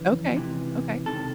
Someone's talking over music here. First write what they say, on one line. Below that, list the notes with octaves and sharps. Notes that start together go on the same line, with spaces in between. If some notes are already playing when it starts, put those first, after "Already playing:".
Okay, okay.
Already playing: F2 C#3 E3 B4
C#2 C3 E3
C#2 C3 D#3 A4